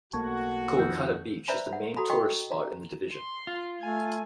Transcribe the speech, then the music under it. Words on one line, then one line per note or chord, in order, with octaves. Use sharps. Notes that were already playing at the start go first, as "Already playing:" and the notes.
Kuakata beach is the main tourist spot in the division.
B1 A3 A#3 F#4 A5 C#6 G#6
F2 D#3 E6 G6
B4 C5 D5 E5 A#5 B5
F#5
F#4 A4 A#5 B5
F#4 D#5 G5 C#6
A#5
C6
F4
A3 G#5